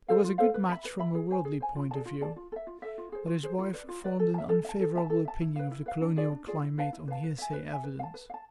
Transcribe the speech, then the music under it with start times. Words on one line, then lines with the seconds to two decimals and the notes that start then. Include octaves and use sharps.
It was a good match from a worldly point of view, but his wife formed an unfavourable opinion of the colonial climate on hearsay evidence.
0.08 A4 C5 F5
0.24 F4
0.38 A4 C5 F5
0.54 B4
0.69 E5 B5
0.85 B4
0.99 E5 B5
1.15 G#4
1.31 C5 G#5
1.45 G#4
1.60 C5 G#5
1.75 F4
1.91 G#4 D5 A5
2.06 F4
2.21 G#4 D5 A5
2.36 F4
2.52 A4
2.56 E5
2.67 F4
2.82 A4 E5
2.98 F4
3.12 G#4 C5
3.27 F4
3.43 G#4 C5
3.59 F4
3.73 B4 D5
3.89 F4
4.04 B4 D5
4.19 A4
4.34 A5
4.38 E5
4.49 A4
4.64 E5
4.69 A5
4.80 A4
4.95 E5 A5
5.10 A4
5.25 E5 A5
5.41 E4
5.56 B4 F5
5.71 E4
5.86 B4 F5
6.01 D4
6.16 F4 G#4 D5
6.32 D4
6.47 F4 G#4 D5
6.63 E4
6.78 B4 F5 A5
6.93 E4
7.08 B4 F5 A5
7.24 B4
7.38 E5 G#5
7.53 B4
7.69 E5 G#5
7.84 B4
7.99 F5
8.03 A5
8.14 B4
8.30 F5
8.34 A5